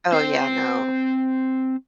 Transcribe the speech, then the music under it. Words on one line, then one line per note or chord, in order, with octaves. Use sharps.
Oh, yeah, no.
C4 C5